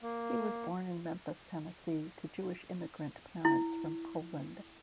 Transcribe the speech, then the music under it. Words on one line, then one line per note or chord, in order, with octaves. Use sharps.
He was born in Memphis, Tennessee, to Jewish immigrant parents from Poland.
A#3
E4